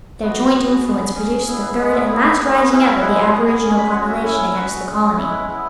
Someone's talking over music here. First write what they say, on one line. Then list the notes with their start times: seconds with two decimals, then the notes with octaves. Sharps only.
Their joint influence produced the third and last rising up of the aboriginal population against the colony.
0.22 B3 F#4 B4
0.53 B3 B4
0.58 F#4
0.68 G#4
0.84 B3 G#4
1.15 C#4 G#4
1.46 B3 E4 G#4
1.62 B4
1.77 G#3 B3 G#4 B4
1.92 E5
2.07 B3 E4 G#4 C#5
2.23 G#4
2.38 B3 G#4 B4
2.54 B4
2.69 C#4 E4 G#4 B4
2.85 C#5
3.00 G#3 E4 G#4 F#5
3.16 G#5
3.31 B3 G#4
3.47 G#5
3.62 C#4 G#4 G#5
3.78 B5
3.93 C#4 F#5
3.97 F#4
4.08 E5
4.23 C#4 E4 G#4 C#5
4.39 C#5
4.54 C#4 F#4 B4
4.85 C#4 G#4
5.16 G#3 C#4 E4 C#5
5.32 B4
5.47 B3 E4 G#4